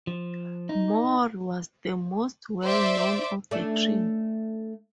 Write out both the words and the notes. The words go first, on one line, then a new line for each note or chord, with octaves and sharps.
Moore was the most well-known of the three.
F3
D#4
C5 D5 E5 D6
A3 C#4 D4